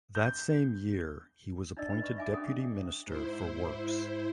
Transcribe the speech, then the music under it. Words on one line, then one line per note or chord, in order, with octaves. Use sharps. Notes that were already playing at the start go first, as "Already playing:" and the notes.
That same year he was appointed deputy minister for Works.
G6
D4 D#4 D5 D#5 E6
B4 D#5 B5
C#6
D#5 E5 G#5 D6
C#4 D4 G#4 F#5 G5 D#6
G#2 E4 C5